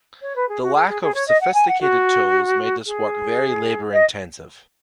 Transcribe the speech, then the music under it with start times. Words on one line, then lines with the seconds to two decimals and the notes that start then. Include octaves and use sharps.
The lack of sophisticated tools made this work very labor-intensive.
0.21 C#5
0.35 B4
0.48 G#4
0.62 F#4
0.75 G#4
0.88 G#4
1.02 G#4
1.14 C#5
1.28 D#5
1.41 F#5
1.54 G#5
1.68 F#5
1.81 F#4
2.86 G#4
3.92 D#5